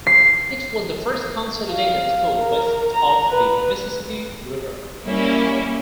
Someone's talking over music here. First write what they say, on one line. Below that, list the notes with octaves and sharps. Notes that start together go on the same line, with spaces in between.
It was the first consolidated school west of the Mississippi River.
C7
F5
A#4
A#5
B4
G3 A#3 C#4 E4